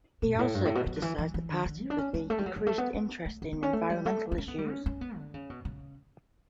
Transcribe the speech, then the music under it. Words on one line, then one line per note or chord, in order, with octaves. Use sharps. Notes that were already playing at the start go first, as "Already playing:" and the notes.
He also criticised the party for its decreased interest in environmental issues.
B2
G2
A2
G2
A2
B2
F#3
D3
E3
E3
E3
D3
D3
C#4
D4
C#4
C#4
G3
A3
G3
F#3
G3
A3
B3
B3
A3
C#3
B3
C#4
A3
G3
A3
D4
C#4
B3
G3
C#4
C#4
B3
D3
C#3
B2
C#3